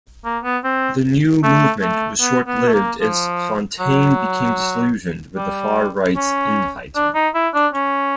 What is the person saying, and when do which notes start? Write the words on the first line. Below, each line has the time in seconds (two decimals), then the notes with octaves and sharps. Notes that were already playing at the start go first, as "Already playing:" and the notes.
The new movement was short-lived as Fountaine became disillusioned with the far right's in-fighting.
0.25 A#3
0.44 B3
0.64 C4
1.43 A3
1.82 A3
2.21 B3
2.47 B3
2.68 A3
2.74 A#3
3.01 F3
3.80 F#3
5.37 G3
6.16 C#4
6.95 D4
7.14 D#4
7.35 E4
7.54 D4
7.73 C#4